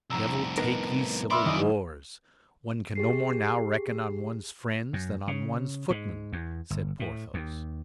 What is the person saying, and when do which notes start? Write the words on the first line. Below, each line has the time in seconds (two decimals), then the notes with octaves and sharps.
"Devil take these civil wars! one can no more now reckon on one's friends than on one's footmen," said Porthos.
0.10 F1 C2 A2 A#5 E6
0.58 B3 D#4 A#4
1.30 A#3 D5 E5 B5 C6 D6 E6 F6
1.46 F#1 D#3 D#4 D#5
2.95 G4 G#4 C7
4.93 F#2
5.28 C#3
5.90 G#2
6.33 E2
6.70 G1
7.00 A2
7.34 D#2